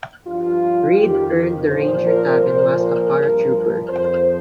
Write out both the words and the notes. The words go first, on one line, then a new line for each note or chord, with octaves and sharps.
Reed earned the Ranger Tab and was a paratrooper.
G2 F3 F4
F2 D#3 G4
A#2 F3 C5
A#4
A#2 F3 C5
A#4
G2 F3
F2 F3 C5